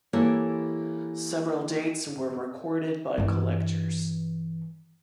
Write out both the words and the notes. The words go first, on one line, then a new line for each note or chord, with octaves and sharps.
Several dates were recorded by collectors.
E3 A#3 E4 G4 A4 C#5
G2 E3